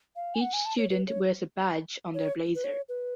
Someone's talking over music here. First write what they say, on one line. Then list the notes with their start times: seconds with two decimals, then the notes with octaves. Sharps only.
Each student wears a badge on their blazer.
0.16 F5
0.35 G#5
0.41 F#5
0.53 G#5
0.65 A5
0.78 C#5
0.90 B4
1.07 C#5
2.14 C#5
2.55 B4
2.64 C#5
2.89 B4